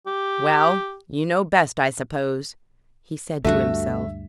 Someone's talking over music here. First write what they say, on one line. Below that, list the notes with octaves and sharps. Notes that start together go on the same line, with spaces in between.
"Well--you know best, I suppose," he said to himself.
G4
D2 G2 A3 F#4 E5